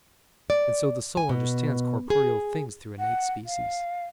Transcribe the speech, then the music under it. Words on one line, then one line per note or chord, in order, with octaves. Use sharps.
And so the soul understands corporeal things through innate species.
D5
G#5
B2
G#4
F#5
F5